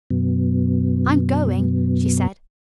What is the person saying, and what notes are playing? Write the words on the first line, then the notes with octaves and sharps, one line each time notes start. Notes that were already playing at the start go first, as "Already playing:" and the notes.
"I'm going," she said.
F#2 B2